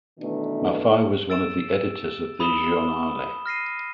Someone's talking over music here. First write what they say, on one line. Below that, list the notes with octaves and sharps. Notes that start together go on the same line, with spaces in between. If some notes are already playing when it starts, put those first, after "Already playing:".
Maffei was one of the editors of the Giornale.
B2 D#3 E3 A3 D4
E6 A6 D7 E7
B5 D#6 E7 G7
F6 A#6 C7 D#7